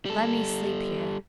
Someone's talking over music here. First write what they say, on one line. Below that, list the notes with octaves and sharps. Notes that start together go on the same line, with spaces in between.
"Let me sleep here."
G3 A4